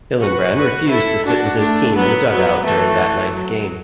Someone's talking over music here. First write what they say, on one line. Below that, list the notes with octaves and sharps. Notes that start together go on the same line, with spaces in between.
Hillenbrand refused to sit with his team in the dugout during that night's game.
F#4 B4
F#4 B4
E4 A4
D4 F#4
A3 D4
F#3 B3
F#3 B3
E3 A3
F#3